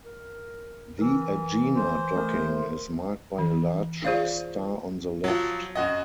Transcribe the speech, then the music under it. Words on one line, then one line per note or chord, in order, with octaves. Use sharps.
The Agena docking is marked by a large star on the left.
A#4
E3 A#4 E6
C5
A3 A#4
E3
F4 G#4 C5 D5 F5
F3 F#3
F#2 F#4 D#5